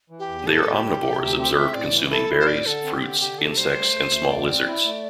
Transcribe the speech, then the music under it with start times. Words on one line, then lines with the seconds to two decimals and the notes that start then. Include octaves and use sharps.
They are omnivores observed consuming berries, fruits, insects and small lizards.
0.10 E3
0.19 G4
0.28 E2
0.46 A2 A4
0.64 A2
0.74 G4
0.82 G3
1.02 C3
1.19 D2
1.38 C4
1.56 C4 E5
1.74 A2 D5
1.92 E3
2.10 E4 A4
2.30 E4
2.39 C5
2.47 A2 D5
2.66 D3 A4
2.84 C4
2.93 G4
3.02 D3
3.21 C3 G4
3.38 C3 A4
3.57 G3 C5
3.76 A3
3.94 D2
4.12 A3
4.30 E2 D5
4.49 C4
4.67 E4
4.85 A3